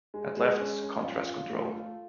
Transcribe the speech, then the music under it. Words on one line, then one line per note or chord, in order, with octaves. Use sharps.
At left, contrast control.
G#3
G#3
C#4
C#4
F4
F4
A3
F4